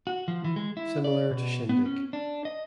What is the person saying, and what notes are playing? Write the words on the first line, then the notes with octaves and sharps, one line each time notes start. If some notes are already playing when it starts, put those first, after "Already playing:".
Similar to Shindig!
F#4
F3
E3
G#3
E4
D5
B2
B3
C#4
D4
D#5